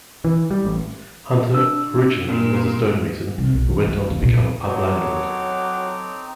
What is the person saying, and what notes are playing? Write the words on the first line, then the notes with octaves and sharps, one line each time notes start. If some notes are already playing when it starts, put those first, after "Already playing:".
Hunter originally was a stonemason, but went on to become a pub landlord.
E3
G3
A1
D4 E6
A#2
C2
B1
E3
D2
D#2
A#2 B3
F#3 C4 D#4 A4 C#5 D6